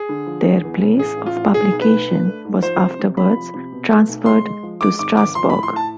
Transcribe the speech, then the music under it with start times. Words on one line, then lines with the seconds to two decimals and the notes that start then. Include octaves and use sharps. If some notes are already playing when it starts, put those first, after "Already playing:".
Their place of publication was afterwards transferred to Strasbourg.
Already playing: G#4
0.09 D3
0.26 F3
0.45 D3
0.63 E2
0.81 E1
0.99 A1 G#4
1.17 A1
1.26 F4
1.35 A1
1.54 B1 G#4
1.72 B1
1.82 B4
1.90 B1
2.09 D4
2.27 A3
2.45 G#2
2.63 F3 C5
2.80 C3
2.99 C3
3.17 C3 B5
3.36 F3
3.54 C3
3.72 B2
3.90 A3
4.09 B1
4.26 G#3 C6
4.44 G#3
4.63 F3
4.81 G#3 D6
4.99 G#1 D6
5.17 G#1 D6
5.35 F3 C6
5.50 A2 B5
5.63 C6
5.72 A2 A5